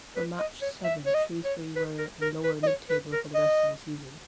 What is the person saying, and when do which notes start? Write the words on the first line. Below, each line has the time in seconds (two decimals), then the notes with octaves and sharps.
From match seven Shrewsbury were in lower midtable for the rest of the season.
0.16 B4
0.39 D#5
0.62 C#5
0.84 E5
1.06 C#5
1.14 D#5
1.45 C#5
1.76 B4
1.98 A#4
2.22 A#4
2.44 B4
2.63 D#5
2.67 C#5
2.90 B4
3.12 A#4
3.35 D#5